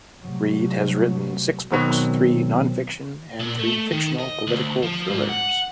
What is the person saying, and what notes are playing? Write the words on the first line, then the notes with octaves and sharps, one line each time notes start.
Reed has written six books; three non-fiction and three fictional political thrillers.
C3 F#3 G3 A3
B2 D#3 F#3 C4
A#2
A3
D#3
D#5
D2
F3
G#2
F#5